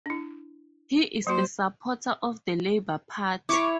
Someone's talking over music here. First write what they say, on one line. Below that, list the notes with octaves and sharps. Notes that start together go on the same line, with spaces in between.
He is a supporter of the Labour Party.
D4 E4
F#3 A#3 F#4 C5
E4 C#5 C#6 D6